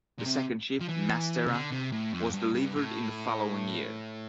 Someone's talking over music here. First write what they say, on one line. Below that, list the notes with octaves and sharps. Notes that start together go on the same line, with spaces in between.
The second ship, "Mastera", was delivered in the following year.
A#2
C3
F3
E3
C3
D3
C3
A2
F2
G2
G2
A2